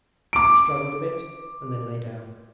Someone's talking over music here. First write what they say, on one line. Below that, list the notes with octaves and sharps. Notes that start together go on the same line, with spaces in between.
He struggled a bit and then lay down.
D6 D7